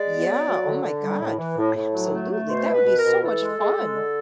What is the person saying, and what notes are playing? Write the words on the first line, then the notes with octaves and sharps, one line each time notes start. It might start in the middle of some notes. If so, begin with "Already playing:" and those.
Yeah, oh my god, f absolutely. That would be so much fun.
Already playing: G#3 D5
B3
F#3
F#3
D3
D3
G3
A2
E3
A2
A2
F#3
A3
A3
B2 C5
B2
B4
B2
A#4
B2
E3 A4
G#3
G#3
G#3
D3